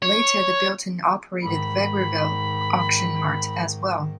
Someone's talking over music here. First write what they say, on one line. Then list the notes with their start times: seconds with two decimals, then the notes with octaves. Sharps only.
Later they built and operated the Vegreville Auction Mart as well.
0.02 C#5
1.42 G#2 D#3 B5